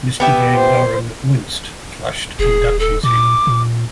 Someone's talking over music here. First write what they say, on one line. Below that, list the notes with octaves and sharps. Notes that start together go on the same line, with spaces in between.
Mr. Van Doren winced, flushed, and ducked his head.
B3 G4 E5
C5
D#1 G#4
A4
A#2 D6
A#2